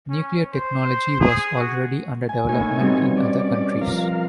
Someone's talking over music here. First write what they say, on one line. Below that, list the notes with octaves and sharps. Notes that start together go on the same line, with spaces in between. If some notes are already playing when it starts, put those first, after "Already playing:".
Nuclear technology was already under development in other countries.
C#4
C5
G#4
F#4
G#5
A2 A#3 D#4 C#5 G#5
B2 G3 C4
C#4 D5
F3 A#4 F5